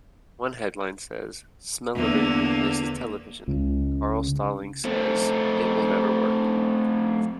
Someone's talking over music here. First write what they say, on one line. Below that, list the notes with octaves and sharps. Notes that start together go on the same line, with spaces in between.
One headline says, Smellevision Replaces Television: Carl Stalling Sez It Will Never Work!
E2 D3 A#3
C#2
A3 C4